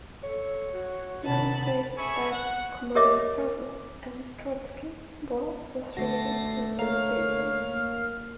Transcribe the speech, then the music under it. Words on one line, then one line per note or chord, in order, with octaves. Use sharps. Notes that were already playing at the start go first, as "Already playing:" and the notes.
Lenin says that "Comrades Parvus and Trotsky" were associated with this paper.
A4 C#5
F#4
C3 D#3 F#5 A5 B5
G#4 A4 E5 G#5 B5 C#6
F#5
G4 A#4 C#5 D#5 E5 D6
D3 A3 F#4 A5 A#6 C7
A#3 A#4 C#5 F5